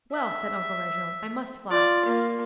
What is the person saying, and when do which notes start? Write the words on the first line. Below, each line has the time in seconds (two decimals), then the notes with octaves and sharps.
'Well,' said Uncle Reginald, 'I must fly.
0.12 E5
1.70 F4 D5
2.05 A#3